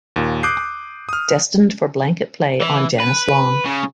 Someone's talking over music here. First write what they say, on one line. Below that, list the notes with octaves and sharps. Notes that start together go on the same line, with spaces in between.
Destined for blanket play on Janice Long.
D#2 A#2
D6 D#6 F#6 G6 C7
D#6 F6
E3
B4
C#3